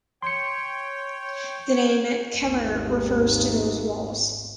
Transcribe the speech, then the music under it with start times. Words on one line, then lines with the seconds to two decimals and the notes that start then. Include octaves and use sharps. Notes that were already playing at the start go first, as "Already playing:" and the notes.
The name "Kemer" refers to those walls.
0.22 C#5 G5 C6 C#7
2.42 G#1 D#2